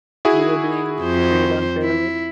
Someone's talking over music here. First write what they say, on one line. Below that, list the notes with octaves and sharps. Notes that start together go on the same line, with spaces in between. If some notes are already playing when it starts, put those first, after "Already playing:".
you were being treated unfairly?
E4 F#4 G#4
F2 C5
E4